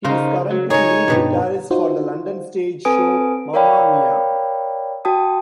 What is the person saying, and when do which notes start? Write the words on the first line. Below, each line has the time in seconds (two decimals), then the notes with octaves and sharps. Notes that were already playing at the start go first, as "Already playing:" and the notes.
He is currently lead guitarist for the London stage show Mamma Mia!
0.05 C#3 D#4 F4 A#4 C5
0.51 F#3
0.70 D#4 G#4 A#4 C#5
1.08 G2 B2 G3
1.71 D#4 F4 F#4 C5
2.85 C4 A4 B4 G#5 D#6 D7
3.54 A#4 C#5 D5 F5 G5 B5
5.05 F#4 G5 A5 D#6